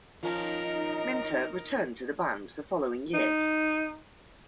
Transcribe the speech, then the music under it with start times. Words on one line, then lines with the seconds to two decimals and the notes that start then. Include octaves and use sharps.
Minter returned to the band the following year.
0.23 D#3 F3 C#4 D#4 A#4
3.14 D#4